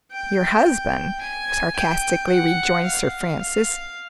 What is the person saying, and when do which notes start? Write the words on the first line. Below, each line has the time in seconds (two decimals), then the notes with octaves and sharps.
"Your husband!" sarcastically rejoined Sir Francis.
0.12 G5
1.21 G#5
1.76 G5
2.29 F#5
2.84 F5
3.39 F5